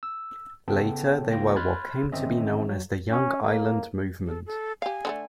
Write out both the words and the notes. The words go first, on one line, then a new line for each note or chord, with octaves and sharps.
Later they were what came to be known as the Young Ireland movement.
E6
C#3 B3 A4 G5 A5
C#2 A#3 F4 G5 A#6
B5 C6 F6 F#6 G#6 A6
G1 D#3 C4 C#4 D#5 E5
F#3
C#4
A#3
A4
A4
G4 F5 G#5
D3 F#3 A3